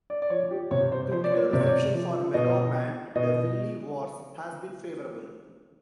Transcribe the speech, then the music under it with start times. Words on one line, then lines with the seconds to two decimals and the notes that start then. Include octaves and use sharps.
Critical reception for "Mega Man: The Wily Wars" has been favorable.
0.10 D5
0.22 D5
0.30 F3 C#5
0.51 G4
0.71 C3 C#5
0.92 C5
1.12 F3 C5
1.24 D5
1.32 C#5
1.53 C3 D5
1.61 C#5
1.69 D5
1.94 F3
2.34 B2 D#5
3.15 B2 D#5